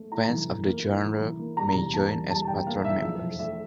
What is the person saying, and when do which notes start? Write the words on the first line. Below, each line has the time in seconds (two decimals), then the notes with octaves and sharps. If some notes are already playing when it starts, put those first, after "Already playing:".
Fans of the genre may join as patron members.
Already playing: A3
0.12 E4 A#5
0.30 E3
0.48 E3
0.66 A#3
0.84 E4
1.02 E3
1.21 E3
1.39 A#3
1.57 G3 A#5
1.75 E2
1.93 A#3 A5
2.12 E3
2.30 G3 A5
2.47 E2 G5
2.66 A#3 F5
2.84 E3 E5
3.02 F3 E5
3.20 F2
3.39 A3 E5